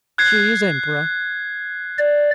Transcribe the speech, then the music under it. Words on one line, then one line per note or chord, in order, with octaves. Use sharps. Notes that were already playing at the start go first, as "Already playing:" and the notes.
"She is emperor."
F#6 G#6 C7
D5